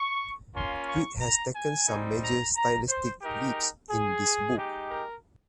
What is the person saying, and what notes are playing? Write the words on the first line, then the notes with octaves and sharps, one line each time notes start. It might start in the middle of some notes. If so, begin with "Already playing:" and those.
Tweet has taken some major stylistic leaps in this book.
Already playing: C#6
A#3 C#4 F4 C6
C#6
A#5
G#5
G3 C4 D#4
A#5
A#5
C5
G#3 D#4 G4 A#4
G#4
G#3 D#4 G4
A#4